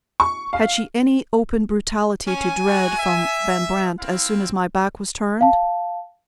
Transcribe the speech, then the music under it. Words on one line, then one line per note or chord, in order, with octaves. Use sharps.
Had she any open brutality to dread from Van Brandt as soon as my back was turned?
C#6
F5
C#4 G#5
G#3 F#4
E5
C4 E4 F5
F5 A5